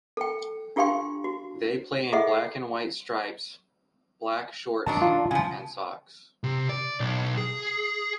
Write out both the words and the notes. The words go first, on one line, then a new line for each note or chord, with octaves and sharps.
They play in black and white stripes, black shorts and socks.
A4 G5
D4 F4 G4 F5 G5 C6
F#4
G#4 A4 D#5 E5 F#5
D#3 F#3 D4 A5 A#5
F4
C#3 F3 G#5
C3
D5
B1
G#4